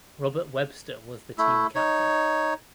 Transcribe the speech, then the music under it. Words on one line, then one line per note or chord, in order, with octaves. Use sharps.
Robert Webster was the team captain.
A3 E4
D#4 C#5